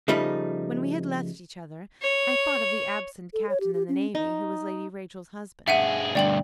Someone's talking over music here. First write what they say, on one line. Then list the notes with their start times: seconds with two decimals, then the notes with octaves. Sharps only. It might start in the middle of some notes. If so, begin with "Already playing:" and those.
When we had left each other, I thought of the absent Captain in the Navy who was Lady Rachel's husband.
0.08 C#3 F3 G3 A3 D#4
2.02 C#5
3.33 A4
3.49 C#5
3.60 G4
3.74 G4
3.89 C#4
4.15 D#4
5.68 G2 G#4 E5 F#5 D#7
6.15 D2 G2 D5 G5 F#7